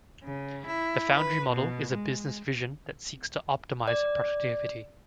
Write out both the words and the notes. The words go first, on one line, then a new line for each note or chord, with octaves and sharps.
The foundry model is a business vision that seeks to optimize productivity.
C#3
E4
B4
B2
G#3
D5